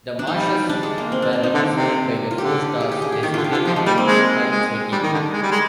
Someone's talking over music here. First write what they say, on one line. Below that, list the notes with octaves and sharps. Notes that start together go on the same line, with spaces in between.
The marshes were represented by the four stars designated Phi Ceti.
D4
G3 D#4
D4
G#3
A#3
C4
D4
C4
D#4
D3
C3
F4
D3 G4
G#4
G4
G#4
G4
D#3 G4
D3 F4
G4
D3
F4
F3 D#4
G#3
G3 A#3
C4
G#3
G#3
G3 D4
D#3
D3
G#3
G3
G#3